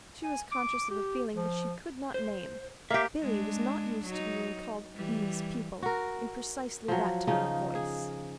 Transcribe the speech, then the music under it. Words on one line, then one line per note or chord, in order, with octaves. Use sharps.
She was conscious of a feeling which she could not name: Billy was not used to being called "these people" in precisely that tone of voice.
G#5
D6
G4
F3
C5
A#3 G4 E5 F5
G#3 D4
F#3 D#4
E3 G3
F#4 A#4
F3 F#3
C#3 F3 D#4
G#4